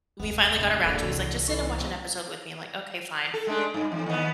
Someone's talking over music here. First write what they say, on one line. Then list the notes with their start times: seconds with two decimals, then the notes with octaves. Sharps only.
we finally got around to it, he's like, "Just sit and watch an episode with me." I'm like, "Okay, fine."
0.20 F1 D#2 G#3 B3
0.56 C2 A2 D3
0.85 D1 D3 G#3 A#3 D4 F#4
1.02 C2 C3 E3 F3 A4
1.48 E3 C#4 A4 C#6
1.78 B2 C4 C#4
3.34 A4
3.47 G#3 A3 D4
3.74 G2
3.92 E2
4.06 D#2 B3